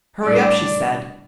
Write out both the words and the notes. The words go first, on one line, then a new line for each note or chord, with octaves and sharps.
"Hurry up," she said.
A2 G3 D4 D5